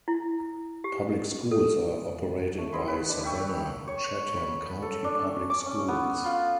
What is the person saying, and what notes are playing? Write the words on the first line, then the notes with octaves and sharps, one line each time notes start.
Public schools are operated by Savannah-Chatham County Public Schools.
E4
G4
A4
A3
E4 D#5 B5 C6
B4 B5
D4
E5 G5 C#6 E6
C#5
B5
A4
D4
C#4
D6
C#4
B3
F4